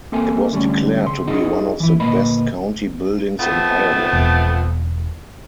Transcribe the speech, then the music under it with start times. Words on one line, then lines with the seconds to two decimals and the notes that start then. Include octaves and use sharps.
It was declared to be one of the best county buildings in Iowa.
0.12 A#3 C4 A4 A#4 E5 G#5
0.53 D3 G3 A3 C#4
1.06 C#3 C6
1.27 D4 D#4 F4 F#4 G#4 D#5
1.80 E3 E4
2.00 D2 A#2 A#3 B4 D#5 B5
3.40 F2 A3 B3
4.13 E1